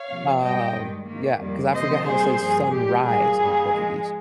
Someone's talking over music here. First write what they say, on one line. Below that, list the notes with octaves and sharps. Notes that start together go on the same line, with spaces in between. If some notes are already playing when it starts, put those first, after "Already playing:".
Um, yeah, 'cause I forgot how to say "sunrise" in Portuguese.
Already playing: C#5 F5
C3 F3 A#3
G#2 G3 A#3 D#5 G5
G2 D#3 G#3
G#2 D#3 A#3
F2 D#3 G3 A#3
C3 F3 A#3 C5 D#5
C3 G3 A#3 G#4 C5
G2 F3 A#3 G#4
A#2 G#3 G4
A#2 G3 A#3 G#4
G2 D#3 G3 A#3
G#2 F3 G#3